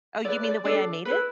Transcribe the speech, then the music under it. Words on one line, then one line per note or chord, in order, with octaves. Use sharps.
Oh, you mean the way I made it?
E4 B4 D5
D5
D4 A4 D5
E4 B4